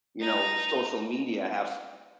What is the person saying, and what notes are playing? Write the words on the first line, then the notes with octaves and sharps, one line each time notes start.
you know, social media have s
D#4